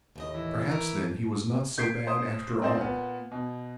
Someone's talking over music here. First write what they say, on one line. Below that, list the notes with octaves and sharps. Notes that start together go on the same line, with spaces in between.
Perhaps, then, he was not so bad after all.
D#2 A2 D#5
E3
A#4
G6 G#6 B6 C7 D7
C5 D#6
C4 D#4 C5 D5
A#2 B3
B2